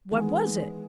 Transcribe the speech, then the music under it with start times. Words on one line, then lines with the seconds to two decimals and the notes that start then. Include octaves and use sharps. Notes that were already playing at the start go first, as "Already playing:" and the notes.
What was it?
0.11 D#3 E3 G#3 B3